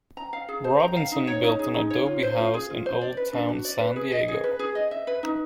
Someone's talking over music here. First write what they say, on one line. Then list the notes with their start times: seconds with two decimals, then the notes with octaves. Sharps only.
Robinson built an adobe house in Old Town San Diego.
0.17 A#5
0.33 F5
0.48 G#4
0.64 C5
0.80 A#5
0.96 F5
1.12 D#4
1.27 C#5
1.43 D#4
1.59 G#4
1.74 D#4
1.90 C#5
2.06 F4
2.23 C5
2.38 F4
2.54 G#4
2.70 F4
2.86 C5
3.01 D5
3.17 B4
3.33 D4
3.48 F#4
3.65 D5
3.81 B4
3.96 G#4
4.12 D#5
4.28 G#4
4.44 B4
4.59 G#4
4.75 D#5
4.91 E5
5.07 B4
5.23 D#4